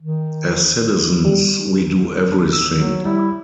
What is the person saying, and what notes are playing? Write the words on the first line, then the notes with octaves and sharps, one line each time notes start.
As citizens we do everything.
D#3
G3
E6
F#3
G3 E4